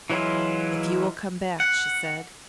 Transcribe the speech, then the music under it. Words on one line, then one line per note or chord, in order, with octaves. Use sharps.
"If you will come back," she said.
E3 F#3 G#3 E4 F4
F#5